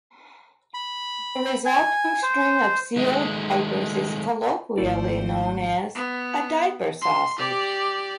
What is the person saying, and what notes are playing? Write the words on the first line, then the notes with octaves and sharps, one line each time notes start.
The resulting string of sealed diapers is colloquially known as a "diaper sausage".
B5
G#5
C5
D#3 G#3 A3
G#1 A3 E4 A4 C5 D5
B3
C6
G4 D5